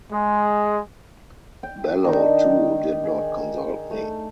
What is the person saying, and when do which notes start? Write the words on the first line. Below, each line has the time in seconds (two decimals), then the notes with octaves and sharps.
Bello too did not consult me.
0.12 G#3
1.63 G5
2.04 D#3 D4 D#4
3.03 G#4
3.91 A3